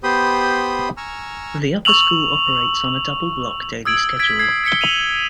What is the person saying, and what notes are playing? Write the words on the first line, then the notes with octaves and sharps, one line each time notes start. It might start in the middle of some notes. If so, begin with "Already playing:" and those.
The Upper School operates on a double block daily schedule.
B3 G4 C5 B5 C6 D#6
G#5 A#5 C#6 E6 F6
C#6 E6 F7 F#7
D#6 E6 G#6 D7 F#7
G#6 B6 D7
G#6 C7
G#6 B6 C#7 G7
D#7 F7 F#7